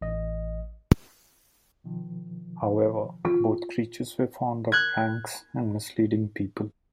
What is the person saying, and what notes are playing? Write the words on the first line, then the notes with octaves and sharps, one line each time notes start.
However, both creatures were fond of pranks and misleading people.
A1 D#5
B2 D#3 F3
F4
F#6 G#6